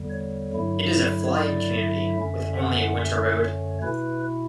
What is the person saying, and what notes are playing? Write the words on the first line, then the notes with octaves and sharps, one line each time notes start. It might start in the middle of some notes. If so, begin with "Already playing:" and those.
It is a fly-in community, with only a winter road.
Already playing: E2 D3 G3
C#5
G2 D3 F#3 A3 E4
D5
E5
F#2 D3 A3 C#4
F#5
E5
C#5
B2 A3 E4 B4